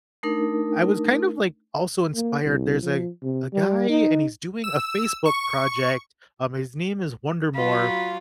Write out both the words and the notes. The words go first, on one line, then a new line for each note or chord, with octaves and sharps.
I was kind of, like, also inspired there's a a guy and he's doing a Facebook project, um, his name is Wonder More,
A3 D4 D#4 A#4
A#3
C2
F3
C3
G3
D#4
E6
C#6
F#3 F4 B5